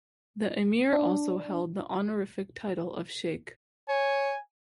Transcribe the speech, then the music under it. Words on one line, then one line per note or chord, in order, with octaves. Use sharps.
The Emir also held the honorific title of sheikh.
D4
C#5 G#5